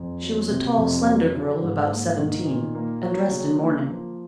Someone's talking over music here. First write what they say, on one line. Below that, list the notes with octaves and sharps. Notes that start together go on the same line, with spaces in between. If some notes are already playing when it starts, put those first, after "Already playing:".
She was a tall, slender girl of about seventeen, and dressed in mourning.
Already playing: F2
F#3
C3
F2
F#3
C#3
G#2
A#3
D#3
A#2
A#3
F#3
C#3
A#3
F3